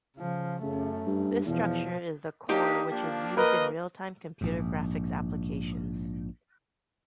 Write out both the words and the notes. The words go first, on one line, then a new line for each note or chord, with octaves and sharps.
This structure is the core which is used in real-time computer graphics applications.
C#3 F3
F#2 C#3 A3
G2
E2 B2 F3
A#3 D4 D#4 G4 D6
F3 A#3 D4
A#4 B4 D#5
A#1 G#2